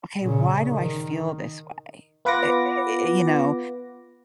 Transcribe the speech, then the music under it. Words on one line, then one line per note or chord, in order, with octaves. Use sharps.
"Okay. Why do I feel this way," i i you know?
A#2 C#3
D#3
B3 F4 B4 F#5 D6 A#6